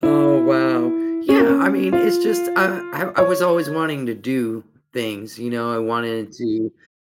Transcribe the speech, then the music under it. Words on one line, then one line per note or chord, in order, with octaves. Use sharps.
Oh wow. Yeah, I mean, it's just, uh, I I was always wanting to do things, you know, I wanted to
E4
C#4
A#3
C#4
F4
C#5